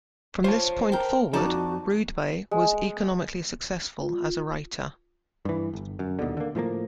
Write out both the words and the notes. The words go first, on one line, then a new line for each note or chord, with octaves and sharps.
From this point forward, Rydberg was economically successful as a writer.
F4 C5 C#5 A5
A#4 G5
F2 D#4 F#4 D5 A5
G#3
F4
G2 E3
G1
F#2
D#1 D#2 B2 D3
D3 A#3
A2 F3 A3 A#3